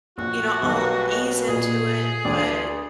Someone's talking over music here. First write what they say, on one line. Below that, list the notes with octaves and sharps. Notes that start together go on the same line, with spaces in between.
you know, I'll ease into it, but
A#1 F#4
B1 B2 G3
A#2 G#4
D2 D4 D5